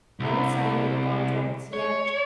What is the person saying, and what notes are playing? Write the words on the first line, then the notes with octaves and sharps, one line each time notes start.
'Haven't signed any contracts yet.
C2
C#5